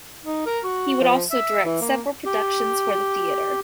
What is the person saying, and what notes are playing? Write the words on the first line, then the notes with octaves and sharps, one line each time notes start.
He would also direct several productions for the theatre.
D#4
A#4
F#4
F3
E5
E3
A#3
G4